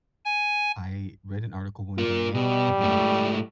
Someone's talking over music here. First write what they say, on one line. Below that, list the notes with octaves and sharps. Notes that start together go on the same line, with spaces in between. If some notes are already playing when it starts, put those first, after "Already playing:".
I read an article one day about
G#5
A#3 F4
B2 G3
G#2 A3